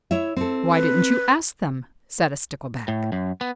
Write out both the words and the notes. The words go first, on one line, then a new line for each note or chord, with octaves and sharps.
"Why didn't you ask them?" said a Stickleback.
E4 C#5 E5
C4 A4
B4
A2
F#2
B3